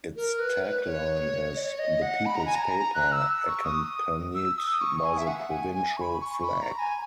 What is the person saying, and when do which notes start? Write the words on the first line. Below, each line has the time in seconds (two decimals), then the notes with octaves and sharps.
Its tagline is "The People's Paper", accompanied by the provincial flag.
0.16 A#4
0.39 B4
0.63 C#5
0.67 B4
0.85 C#5
1.56 D#5
1.59 C#5
1.79 D#5
2.02 F#5
2.26 B5
2.36 A#5
2.46 G#5
2.55 A#5
2.95 F#6
3.12 E6
3.48 C#6
3.64 D#6
4.35 E6
4.58 D#6
4.70 D#6
4.81 C#6
5.04 G#5
5.18 E5
5.28 F#5
5.51 G#5
5.74 G#5
5.97 C#6
6.01 B5
6.21 C#6
6.44 B5
6.62 A#5
6.79 G#5